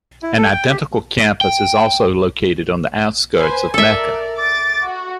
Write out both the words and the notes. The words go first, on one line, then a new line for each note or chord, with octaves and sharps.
An identical campus is also located on the outskirts of Mecca.
E4
A4
G5
G4
G5
B4 C5 G#5
A4 A#4 D5 E5
D6 A6
F#4